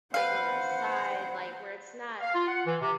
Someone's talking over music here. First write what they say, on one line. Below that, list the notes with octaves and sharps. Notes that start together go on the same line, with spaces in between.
like, on a side like, where it's not
B4 C5 F5 F#5
F5
F4
F#5
E3
C3